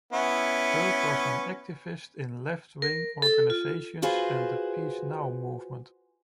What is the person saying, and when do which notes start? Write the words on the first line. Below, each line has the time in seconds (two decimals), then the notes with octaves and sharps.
Burg was an activist in left-wing organizations and the Peace Now movement.
0.13 B3 C#4 E4
2.82 A#4
3.22 A4
3.50 F4
4.02 F4 F#4 G#4 B4 C5